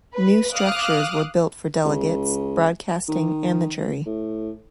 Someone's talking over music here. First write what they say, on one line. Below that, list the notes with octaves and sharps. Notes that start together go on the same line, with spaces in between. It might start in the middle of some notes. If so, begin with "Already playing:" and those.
New structures were built for delegates, broadcasting and the jury.
B4
F5 D6 D#6 F6 F#6
C#2
D#3
A2